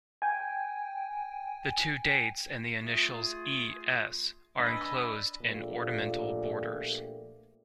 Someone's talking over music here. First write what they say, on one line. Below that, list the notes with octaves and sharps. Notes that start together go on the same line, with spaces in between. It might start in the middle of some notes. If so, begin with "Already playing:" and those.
The two dates and the initials E. S. are enclosed in ornamental borders.
G5 G#5
A3 F4 G#4
D4 B4 D#5 G#5 B5 E6
A#1 A#2 A3 G4